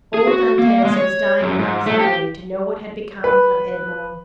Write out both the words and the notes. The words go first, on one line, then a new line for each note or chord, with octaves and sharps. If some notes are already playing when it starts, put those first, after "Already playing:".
Old Dantes was dying with anxiety to know what had become of Edmond.
G#4
F#4
A#3
G#3
C#5
F#2
G#2
A3
G4
B4